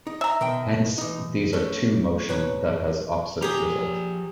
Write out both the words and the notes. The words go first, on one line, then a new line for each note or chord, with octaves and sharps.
Hence, these are two motion that has opposite result.
D#4
E5 A#5
B2 D#3 G5
E3 D#4
A3 C#4
B1 B4 C#5
F3 G4 G#4 A#5